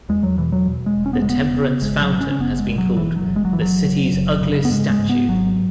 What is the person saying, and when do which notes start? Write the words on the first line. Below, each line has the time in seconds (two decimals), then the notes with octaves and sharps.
The Temperance Fountain has been called "the city's ugliest statue".
0.09 E2 G#3
0.23 F#3
0.38 B2 E3
0.52 F#3
0.67 B2
0.86 G#3
0.95 E1
1.06 C#4
1.13 B3
1.22 C#3 G#3
1.30 B3
1.54 C#3
1.82 G#1 G#3
2.01 F#3
2.11 C#3
2.20 C#4
2.31 C#4
2.40 F#1 B3
2.59 G#3
2.69 B2
2.78 F#3
2.97 F#1 E3
3.16 F#3
3.26 F#1
3.36 G#3
3.45 F#3
3.53 F#1 E3
3.62 F#3
3.84 C#3
4.13 F#1
4.41 C#3
4.65 B3
4.70 G#2 G#3
4.90 G#3
4.99 G#2
5.09 B3
5.28 G#1 F#3